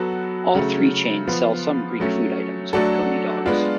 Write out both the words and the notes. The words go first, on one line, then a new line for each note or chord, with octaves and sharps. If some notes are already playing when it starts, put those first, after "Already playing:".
All three chains sell some Greek food items with Coney dogs.
Already playing: F#3 B3 F#4 A4
C#3 F#3 A3
F3 B3 F4
F#3 A3 C#4
F#3 A3 D4 F#4 A4
G#3 B3 D4 F4